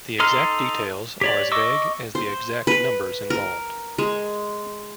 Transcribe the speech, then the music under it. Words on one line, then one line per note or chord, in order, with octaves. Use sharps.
The exact details are as vague as the exact numbers involved.
D#4 A4 C6 F6
G4 C#5 D5
D#5 C#6 D6 E6
C5
B4
A#4
G#3